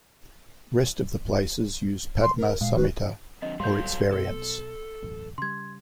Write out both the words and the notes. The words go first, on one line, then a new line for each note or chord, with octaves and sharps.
Rest of the places use Padma samhita or its variants.
C6
A#4
A#2 G#3 F5
D#3 F#4 B4
F3 C4 D4 D#5
D1 G#2 F#3 G3 A4 F5 C6 G6
B1 B2 A4
E1 A1 F#2
C#3 G3 C6 G#6